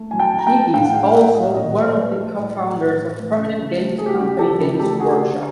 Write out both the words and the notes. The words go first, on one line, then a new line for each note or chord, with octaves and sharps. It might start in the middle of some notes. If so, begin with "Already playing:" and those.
He is also one of the co-founders of prominent games company Games Workshop.
Already playing: A3
F#3 G#5
G5 A5
F#3 A#5
G5 A5
A3
A2 F5 G5
F#5
G#3 F5 G5
A2 E5 F#5
A2 D#5 F5
D5
A#2 C#5 D#5
A#2 C5 D5
D5
F#3 B4 C#5
A3 G4 A4
A2
A3
A2
E3
A3
C#3
C#3
A3
A3 G#4
G4
F#4
C#3 G4
F3 G4 A4
C#3
A3 G4 A4
A3 F#4 G#4
D3 G4